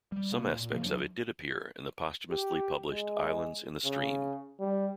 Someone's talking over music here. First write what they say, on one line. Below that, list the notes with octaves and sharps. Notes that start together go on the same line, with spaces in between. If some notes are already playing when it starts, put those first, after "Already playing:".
Some aspects of it did appear in the posthumously published "Islands in the Stream".
G3
C3 A#3
A#2
C#3 F3 A#3
E2 F#3 D4
G4
G#3
C#3
G3